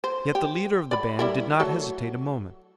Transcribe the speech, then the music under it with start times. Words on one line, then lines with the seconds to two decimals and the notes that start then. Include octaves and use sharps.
Yet the leader of the band did not hesitate a moment.
0.04 C5
0.35 G4
0.91 D5 B5
1.19 G3 E4 A#4
1.60 F#3 A3 A4